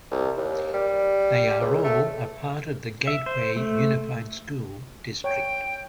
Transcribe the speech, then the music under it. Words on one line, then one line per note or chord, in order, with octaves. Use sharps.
They are all a part of the Gateway Unified School District.
C2
D#2
G3
C#2
A3
E5
C5
A3
C#5 G5